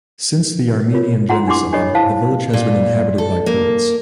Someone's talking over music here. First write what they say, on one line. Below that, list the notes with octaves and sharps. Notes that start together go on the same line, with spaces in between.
Since the Armenian genocide the village has been inhabited by Kurds.
F4 A#4 C#5
F4 F#5 A#5 C6
D4 E4 G4 C6 D6
D4 G4 A4 C#5 D#5 B5
E4 C5 F5 A5
A#2
A4
A#3